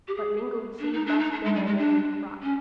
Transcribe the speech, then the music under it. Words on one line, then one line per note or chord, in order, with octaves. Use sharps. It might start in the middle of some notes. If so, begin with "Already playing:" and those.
But mingled seed must bear a mingled crop.
G4
G#4
D4
D#4
D4
D#4
D4
G#3
G3
G#3
D4
C#4